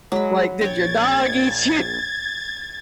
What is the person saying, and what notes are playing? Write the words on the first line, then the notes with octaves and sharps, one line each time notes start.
Like, "Did your dog eat you?"
F#3 G#3 B5
A#1 C#5 G5 G#6 A6